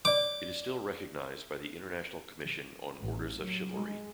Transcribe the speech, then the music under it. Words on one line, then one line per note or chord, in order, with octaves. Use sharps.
It is still recognised by the International Commission on Orders of Chivalry.
C#5 D5 D6
A1
F#3
G#3